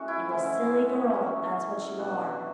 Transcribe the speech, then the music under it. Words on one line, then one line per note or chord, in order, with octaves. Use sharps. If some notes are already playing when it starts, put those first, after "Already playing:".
You're a silly girl, that's what you are!'
Already playing: A2 G#3 C#4 F#4
E4
A2 G#3 C#4
A2 G#3 C#4 F#4
B2 F#3 B3 D4 F#4